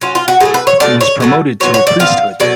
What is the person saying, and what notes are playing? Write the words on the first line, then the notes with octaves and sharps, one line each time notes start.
He was promoted to a priesthood.
F#3 C#4 F4
F4
F#4
A2 F#3 A3 G#4
B4
C#5
B2 A3 D4 F4 D5
C#5
D3 F#3 A3
F#3 B3 F4 C#5
C#5
D5
F3 B3 F4 F5
B2 F#3 A3 D5